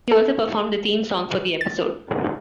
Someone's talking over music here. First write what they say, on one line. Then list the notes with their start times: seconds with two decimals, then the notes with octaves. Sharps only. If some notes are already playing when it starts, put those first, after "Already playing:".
He also performed the theme song for the episode.
0.12 A4
1.61 A6